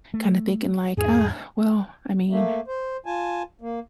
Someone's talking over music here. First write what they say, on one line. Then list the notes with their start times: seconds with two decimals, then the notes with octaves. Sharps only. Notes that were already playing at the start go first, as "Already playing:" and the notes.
kinda thinking like, "Uh, well," I mean,
0.14 A3
0.97 E2 G#2 G#4
2.30 A3 A#3
2.68 C5
3.06 F4 G#5 A5
3.61 A#3